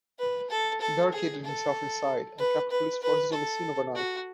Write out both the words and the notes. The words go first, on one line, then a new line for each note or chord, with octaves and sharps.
He barricaded himself inside and kept police forces on scene overnight.
B4
A4
A4
G#4
A4
B4
B4
B4
A4
F#4